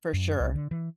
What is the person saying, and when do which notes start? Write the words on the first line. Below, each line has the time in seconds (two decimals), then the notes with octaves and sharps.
for sure.
0.13 F#2
0.40 C2
0.55 D3
0.71 E3